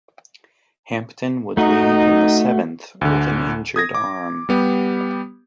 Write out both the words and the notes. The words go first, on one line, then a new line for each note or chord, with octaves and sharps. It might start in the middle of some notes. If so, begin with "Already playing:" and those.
Hampton would leave in the seventh with an injured arm.
A3 D#4 F#4
D2 D3
D#6 G#6 A#6
D6
G3 B3 G4